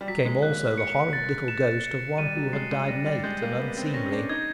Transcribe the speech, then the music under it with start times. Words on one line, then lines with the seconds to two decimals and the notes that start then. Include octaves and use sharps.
Came also the horrid little ghost of one who had died late and unseemly.
0.01 G3
0.08 F#3 B6
0.25 G#3
0.43 A#3 F#6
0.78 C#7
1.13 A6
1.48 E7
1.84 C#7
2.18 G3 D#7
2.35 F#3
2.53 G#3 C7
2.72 G#3
2.88 G3 A#6
3.06 G3
3.24 G#3 G6
3.42 A#3
3.59 B3 D#7
3.77 C4
3.94 C#4 A#6
4.12 D4
4.29 D#4 G#6